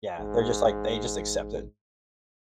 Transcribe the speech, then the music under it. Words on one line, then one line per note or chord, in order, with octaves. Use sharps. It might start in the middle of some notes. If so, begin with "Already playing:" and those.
Yeah. They're just like they just accept it.
A1 G#2